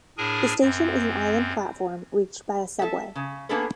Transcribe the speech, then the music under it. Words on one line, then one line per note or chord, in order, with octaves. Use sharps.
The station is an island platform reached by a subway.
A2 D4 G#4 A#4 G#5
F#2 C4
A4 E5
C#3
A#3 B3 D4 G#4 A4 B4